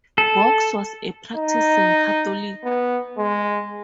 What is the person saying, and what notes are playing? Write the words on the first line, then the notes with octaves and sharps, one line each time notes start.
Boggs was a practicing Catholic.
A4
D#4
B3
G#3